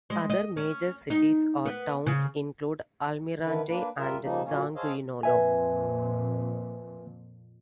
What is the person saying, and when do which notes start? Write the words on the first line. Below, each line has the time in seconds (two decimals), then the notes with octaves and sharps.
Other major cities or towns include Almirante and Changuinola.
0.10 G#3
0.30 D#5
0.57 C#4
1.10 D#4
1.65 B3
2.07 C#3
3.42 D3 D#3 E4 B4
3.68 A#3 D4 B4
3.98 G3 F4 A#4 E5
4.23 C#3 F3 G3 A#3 D#4
4.45 F#2 A#2 A#3 C#4
4.76 G#4 A4 C5 C#5 D#5 F5
5.23 F2 A#2 B4 E5 G#5